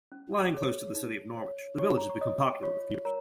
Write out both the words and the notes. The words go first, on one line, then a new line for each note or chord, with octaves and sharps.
Lying close to the city of Norwich the village has become popular with commuters.
C#4
G#4 C#5
D#4
C#5
D#4 C#5 C#6
A#5
C#6
C#5 D#5 D#6
F4 C#5 C#6
A#4 C#5 A#5